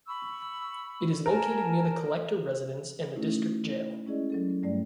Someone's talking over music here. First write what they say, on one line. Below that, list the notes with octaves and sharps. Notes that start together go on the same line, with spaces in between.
It is located near the collector residence and the district jail.
B5 C#6 E6
A#4 G#5 A5
A3 C#4 D#4 E4 F#4
G#3 C#4 E4 G#4 D5 D#5
F#3 C#4 A4
G2 G3 A3 D5